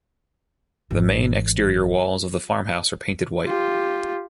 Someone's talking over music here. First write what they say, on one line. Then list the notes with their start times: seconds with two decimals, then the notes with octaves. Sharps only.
The main exterior walls of the farmhouse are painted white.
0.90 G#1 E3
3.45 F4 G4